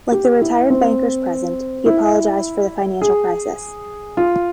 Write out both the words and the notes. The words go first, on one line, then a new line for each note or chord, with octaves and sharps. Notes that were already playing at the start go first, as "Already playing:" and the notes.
Like the retired bankers present, he apologised for the financial crisis.
G4
E4
C4
E4
G#4
F4